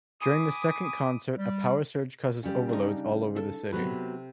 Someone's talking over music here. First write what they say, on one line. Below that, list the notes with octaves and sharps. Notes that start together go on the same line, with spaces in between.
During the second concert, a power surge causes overloads all over the city.
G#5 B5 D6 D#6
G3
C#3 G3
D4 D#4
A4
C3 F#3 B3 B4